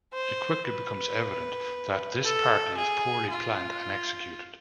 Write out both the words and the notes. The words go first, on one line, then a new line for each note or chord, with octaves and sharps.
It quickly becomes evident that this party is poorly planned and executed.
C5
B4
A4
G#4
F4